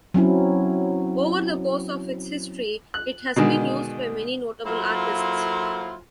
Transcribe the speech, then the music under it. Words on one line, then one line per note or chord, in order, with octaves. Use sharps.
Over the course of its history, it has been used by many notable artists.
F#3 C4 C#4 E4
F#6
B2 D3 D#3 G#3
F#3 A#3 E4 F4 A4 C5